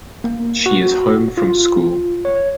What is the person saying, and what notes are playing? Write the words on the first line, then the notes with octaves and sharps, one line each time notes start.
She is home from school.
A#3
F#4
F4
C#5